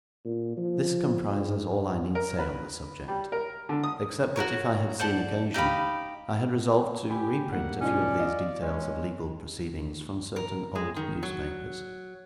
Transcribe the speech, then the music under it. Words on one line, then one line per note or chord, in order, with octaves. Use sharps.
This comprises all I need say on the subject; except that if I had seen occasion, I had resolved to reprint a few of these details of legal proceedings, from certain old newspapers.
A#2
F3
G#2
A#4
B4
G3
A#4
D3
D#6
F#4 G4 A#4 C#5
C5 D5 F#5 A5
D#4 G4 F5 B5
G4 G5 G#5 B5
G3 A3 A#3 F#5
B1 F3 G#3 C#4 D5
F4 D#5
G#3 C#4
A#4
G#3
D#3
F#3